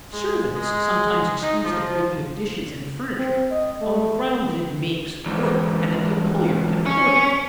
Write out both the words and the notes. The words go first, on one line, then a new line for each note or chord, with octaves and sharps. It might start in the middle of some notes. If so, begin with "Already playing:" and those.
Servants sometimes excuse the breaking of dishes and furniture on the ground that it makes work, and that the employer can afford it.
G#3
G#3
D#4
F3
C4
D#5
A3
E2 G#2
C#4